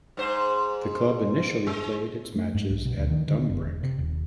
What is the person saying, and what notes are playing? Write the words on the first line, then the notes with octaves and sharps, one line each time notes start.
The club initially played its matches at Dumbreck.
G#2 C5
G#3
A3
G#2
B1
B2
D2
D#3
D3
F#1
E1
C3
D#1